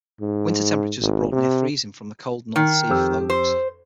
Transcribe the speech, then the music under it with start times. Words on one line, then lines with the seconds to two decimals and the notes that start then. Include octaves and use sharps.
Winter temperatures are brought near freezing from the cold North Sea flows.
0.21 G#2
1.00 G#1
1.32 C3
2.56 D#3
2.89 F2 G4 E6
3.30 C5